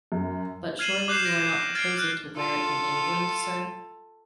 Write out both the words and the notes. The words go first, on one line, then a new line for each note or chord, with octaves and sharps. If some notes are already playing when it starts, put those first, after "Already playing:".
But surely you are not proposing to wear it in England, sir?
F#2
F6 G#6 C7 D#7 E7 F#7
D6 F#6 G6 C7 E7
G6 A#6 D7 E7
F6 G#6 A6 C7 D7
F6 F#6
F4 A4